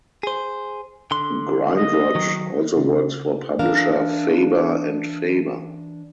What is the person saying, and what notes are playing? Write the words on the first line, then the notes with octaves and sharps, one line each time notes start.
Grindrod also works for publisher Faber and Faber.
G#4 C5
D3 C6
D#5
D#3 F#3
C#3
E3 D4 A#4 F5